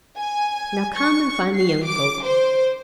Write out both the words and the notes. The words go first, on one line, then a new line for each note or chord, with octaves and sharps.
Now, come and find the young folk.
G#5
C#6
C7
D6
C5